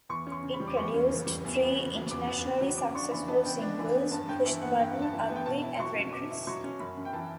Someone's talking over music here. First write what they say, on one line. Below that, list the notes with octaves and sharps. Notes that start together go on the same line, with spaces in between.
It produced three internationally successful singles, "Push the Button", "Ugly" and "Red Dress".
E2 C#6
C#4
C#6
C#3
B5
G3
D6
E2 C#6
C#4
C#3
G3
E2
B3
C#3
F#3
E2 D6
B3
C#3
F#3
C#3 D6
D4 C#6
E3 B5
B3 A5
C#3 G5
D4
E3 B5
B3
G2 A5
G2 G5
E3 E5
B3 F#5
G2 G5
G2
A5
E3
G5
B3
G5
B2 A5
E4
F#3 C#6
C#4
B2 D6
E4
F#3 C#6
C#4
F#2 B5
F#2
G5
E3 A5